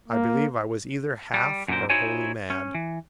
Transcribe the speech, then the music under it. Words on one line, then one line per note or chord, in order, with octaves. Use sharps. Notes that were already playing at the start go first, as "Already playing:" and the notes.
I believe I was either half or wholly mad.
A#3
G3
F#2 A#2 D3 A#4 C5
D#4 E4 F#4 C5 C#5 G#5
C#4
E3